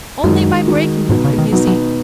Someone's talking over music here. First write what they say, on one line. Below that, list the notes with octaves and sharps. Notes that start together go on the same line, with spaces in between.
Only by breaking them could he see.
F#2 D#3 G#3 D#4 F#4
D#3 G#3 D#4 F#4
G#2 B2 B3 D#4 F#4
C#3
D#3
B2 F#3 B3 D#4 F#4
F#3